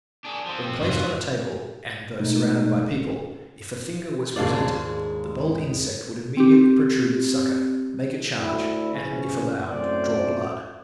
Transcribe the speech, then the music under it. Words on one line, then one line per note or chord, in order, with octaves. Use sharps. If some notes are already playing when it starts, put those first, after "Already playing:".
When placed on a table, and though surrounded by people, if a finger was presented, the bold insect would immediately protrude its sucker, make a charge, and if allowed, draw blood.
D4 G#4
F3 C4
F2 G#2 C3 F4 F#4
B2 G#3 A3 D#4
D#2 G#2 G#3 D4 F4 D5
C4 G4
D2 E4
C#3 E3 F3 C#4
F#2 A2 A3 C4 C5 D5